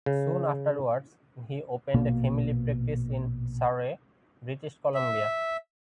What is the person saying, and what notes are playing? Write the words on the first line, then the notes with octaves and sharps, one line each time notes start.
Soon afterwards, he opened a family practice in Surrey, British Columbia.
C#3
A#1 B2 A#3
E5